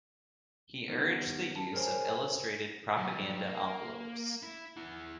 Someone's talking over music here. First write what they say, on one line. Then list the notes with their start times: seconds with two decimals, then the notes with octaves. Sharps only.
He urged the use of illustrated propaganda envelopes.
0.88 D#3 G3 B3
1.56 A5
1.73 G#4 A#4 C5 C#5 G#5
2.97 F#3 G3
3.45 A#3
4.43 E4
4.76 E4 F#5